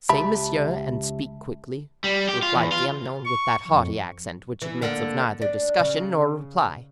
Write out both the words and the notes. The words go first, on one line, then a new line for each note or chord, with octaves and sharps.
"Say monsieur, and speak quickly," replied the unknown, with that haughty accent which admits of neither discussion nor reply.
C#2 G4 E5 A5 B5
G3
G4
F4
E2
F4
C#6
F2
E3
D3 A#3
D4
C#3